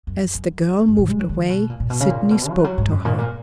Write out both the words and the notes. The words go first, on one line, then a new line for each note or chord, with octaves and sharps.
As the girl moved away, Sydney spoke to her.
F#2
F#2
F#2
A#2
G#3
F#3
D#3
B2
A#2
A#2
B2
C#3
A#2
B2
F#3
E3
F#3
G#2
F#2
A#2
G#2
A#2